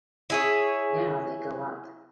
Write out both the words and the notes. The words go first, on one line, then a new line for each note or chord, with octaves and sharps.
Now they go up.
E4 G#4 C#5